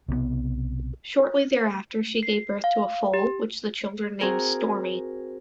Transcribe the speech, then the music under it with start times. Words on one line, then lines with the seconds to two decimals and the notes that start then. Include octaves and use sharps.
Shortly thereafter, she gave birth to a foal, which the children named Stormy.
0.08 B1 C3 F#3 B3
2.23 C7
2.64 F5
3.14 G4
4.21 C4 F#4 G#4 A#4